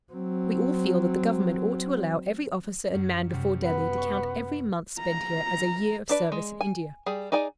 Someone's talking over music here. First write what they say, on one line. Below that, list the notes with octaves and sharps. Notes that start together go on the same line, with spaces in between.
We all feel that the Government ought to allow every officer and man before Delhi to count every month spent here as a year of service in India.
F#3 C4
F#2
F#2 C3 G3
B3
C#6
A#5
D4 B4 D5
G#3
G#5
G3 G#4
D#4 G#4 D5 G#5